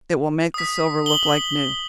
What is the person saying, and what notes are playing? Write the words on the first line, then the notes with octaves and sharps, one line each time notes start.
It will make the silver look like new.
D#6 B6
F#7 G7